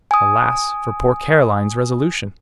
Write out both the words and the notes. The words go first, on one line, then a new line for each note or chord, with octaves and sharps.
Alas for poor Caroline's resolution!
G#5 D#6